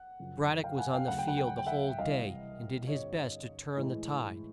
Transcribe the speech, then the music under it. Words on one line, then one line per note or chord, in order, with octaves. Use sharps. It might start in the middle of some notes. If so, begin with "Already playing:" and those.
Brad-dock was on the field the whole day, and did his best to turn the tide.
Already playing: F#5
F#2 C#3 F3
F5 G5
F#5 G#5
F5 G5
D2 C#3 F#3 F#5
G5
F#5
G5
F#5
G5
E5 F#5
C2 C3 E3 G3 D#5 F5
G2 D3 G3 C4 C#5 D#5
A2 E3 G#3